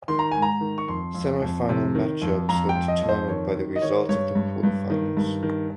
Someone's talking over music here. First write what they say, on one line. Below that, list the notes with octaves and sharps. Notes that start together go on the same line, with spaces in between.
Semifinal matchups were determined by the results of the quarterfinals.
D#3 C6
A#5
G#2 G#5
A#5
D#3
C#6
F2 C6
F2
F2
C3
D#3
F2
F2 A#5
G5
F2
D#5
F2
C5
D#3 C#5
D#3
D#5
D#3 C#5
G2 C#5
G2
G2
D#3
G2
D#3